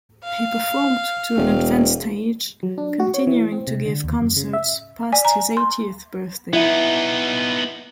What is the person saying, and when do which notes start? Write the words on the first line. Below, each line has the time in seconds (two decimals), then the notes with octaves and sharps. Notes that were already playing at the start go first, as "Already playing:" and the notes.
He performed to an advanced age, continuing to give concerts past his eightieth birthday.
0.24 F5
1.37 E1
2.63 F#3
2.78 D4
3.00 F#4
3.14 C#5
3.27 E3
3.52 C4
3.67 C3
3.86 D3
4.04 D#2
4.21 F#2
4.36 C#3
4.53 E5
5.13 D5 G#5
5.25 A#5
5.57 C6
6.53 B3 D#4 E4